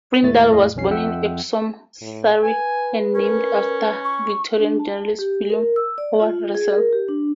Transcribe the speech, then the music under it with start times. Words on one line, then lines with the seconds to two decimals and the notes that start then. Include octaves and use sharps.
Frindall was born in Epsom, Surrey and named after Victorian journalist William Howard Russell.
0.23 D#2 A2 A3 A6
0.50 F2 A2 D#5 F5
0.76 B1 F2 C#4 C7
0.91 F2 E5 F#5 G5 E6
2.01 A2
2.43 B4 G#5
3.15 C#4 A#4
4.05 C#6
4.59 D4
4.79 A5
5.19 G4
5.50 A#4
5.76 E6
5.98 D5
6.20 F4
6.55 G#4
6.76 A#4
6.93 G4
7.08 D4